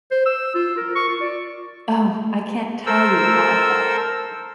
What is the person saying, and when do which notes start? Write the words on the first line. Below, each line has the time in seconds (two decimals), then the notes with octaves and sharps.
Oh, I can’t tell you how I felt.
0.11 C5
0.26 E6
0.55 F4
0.77 A#4
0.95 C#6
1.08 F4
1.21 D5
2.86 A4 A#4 C5 E6